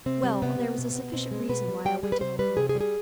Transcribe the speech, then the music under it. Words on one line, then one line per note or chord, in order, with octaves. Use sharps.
"Well, there was a sufficient reason why I went in alone."
C3 C4
G3
C3 B3
C3
B2
B2
B2 C4
G#3
B2 B4
G3
G3 G5
G3 G#4
B4
C3 C5
G3 B4
C3 G#4
G#4
G3
G#4